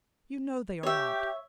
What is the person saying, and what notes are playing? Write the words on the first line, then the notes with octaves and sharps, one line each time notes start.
You know they are not.
G4 C#5 E5